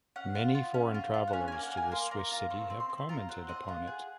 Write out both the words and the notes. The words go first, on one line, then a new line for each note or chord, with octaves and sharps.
Many foreign travellers to this Swiss city have commented upon it.
C#4 F#5
F4
F4
C#4
F4
F4
F#5
C#4 G#5
A#3 G#5
F#5
A#3
G#5
A#3 C6
A#3 A#5
F4 A#5
C4 C#6
C4
C6
C4
F4 A#5
C4 F#5
C4 D#5
F4 F#5
G#4